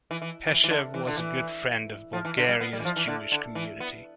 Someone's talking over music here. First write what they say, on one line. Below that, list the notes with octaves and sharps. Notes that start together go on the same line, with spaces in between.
Peshev was a good friend of Bulgaria's Jewish community.
E3
E3
E3
E3
D3
E3
D3
E3
F3
E3
D3
G3
B3
G3
E3
F3
E3
D3
D3
E3
B3